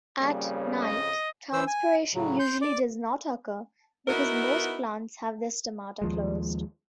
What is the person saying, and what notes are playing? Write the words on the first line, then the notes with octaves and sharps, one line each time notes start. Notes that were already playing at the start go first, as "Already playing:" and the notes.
At night, transpiration usually does not occur because most plants have their stomata closed.
F2 C#3 G3 A#3 C#4
D#5
E3 C5 E6
G#5
A2 C#3 F#3
C6 G6
D5 D6
B3 D#4 E4 F#4 A#4
D#2 F3 G#3